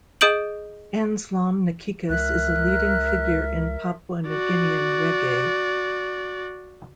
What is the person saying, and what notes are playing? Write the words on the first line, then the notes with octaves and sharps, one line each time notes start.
Anslom Nakikus is a leading figure in Papua New Guinean reggae.
G#4 D#5 D#6 G6 D7 F#7
C#2 A#4 E5 F#6
F#4 D5